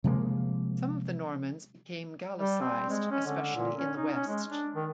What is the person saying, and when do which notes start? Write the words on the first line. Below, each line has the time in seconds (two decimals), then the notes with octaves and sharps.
Some of the Normans became Gaelicised, especially in the West.
0.04 C3 F3 G#3 A#3
2.39 G3
2.61 C4
2.91 G#3
3.11 C#4
3.27 D3
3.55 A#2
3.78 C#4
3.96 D#4
4.13 C#4
4.28 G#3
4.48 D4
4.76 D#3